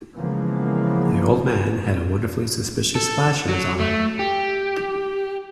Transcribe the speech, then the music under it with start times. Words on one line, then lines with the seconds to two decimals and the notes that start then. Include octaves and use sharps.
The old man had a wonderfully suspicious flash in his eye.
0.16 C#3 E3 F3 G#3 A#3 B3
2.95 A4
3.49 F#3
3.80 A3
4.19 G4